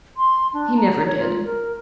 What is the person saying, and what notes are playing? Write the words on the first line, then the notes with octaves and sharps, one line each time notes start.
He never did.
C6
D4
A#5
C#5
F4
A#4